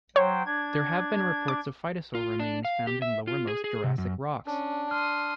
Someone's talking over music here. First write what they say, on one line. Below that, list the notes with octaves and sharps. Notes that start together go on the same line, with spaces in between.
There have been reports of phytosaur remains found in lowermost Jurassic rocks.
F#3 C5 C#5 G5
D4 G#6
D6
F4
D4
F5
G4
E5
F4
G#4
G#4
C3
F#2
C#4 D4
C6 D#6 F6